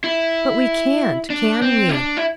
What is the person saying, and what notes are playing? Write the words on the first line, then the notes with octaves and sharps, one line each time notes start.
"But we can't,--can we?"
E4
D4
C4
E4
D4
E4